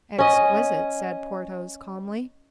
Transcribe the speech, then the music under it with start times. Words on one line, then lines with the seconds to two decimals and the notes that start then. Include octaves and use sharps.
"Exquisite," said Porthos, calmly.
0.18 C#4 D#5